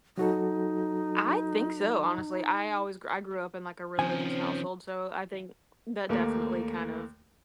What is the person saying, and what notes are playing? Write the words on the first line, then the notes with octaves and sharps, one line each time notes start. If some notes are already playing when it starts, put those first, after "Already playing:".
I think so, honestly. I always grew I grew up in a religious household, so I think that, definitely, kind of,
F#3 D#4 F#4 A4
D#3 F3 C4 C#4 G#5
D#2 A3 A#3